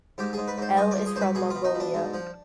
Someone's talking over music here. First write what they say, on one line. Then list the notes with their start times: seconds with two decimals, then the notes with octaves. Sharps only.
Elle is from Mongolia.
0.18 G#2 G4
0.33 G#2 G#4
0.48 B4
0.58 G#2 C5
0.77 G2 D#5
0.91 D5
0.96 F3
1.06 G#4
1.16 G2 C5
1.21 B4
1.35 B2 G#4
1.50 B2 F4
1.64 D#4
1.75 B2
1.80 D4
1.94 G#2
2.14 F3